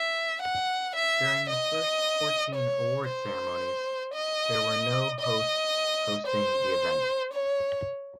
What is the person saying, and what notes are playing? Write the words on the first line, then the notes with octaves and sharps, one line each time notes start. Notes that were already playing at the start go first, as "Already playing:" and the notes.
During the first fourteen award ceremonies, there were no hosts hosting the event.
Already playing: E5
F#5
E5
D#5
C#5
C5
D#5
D#5
C5
C#5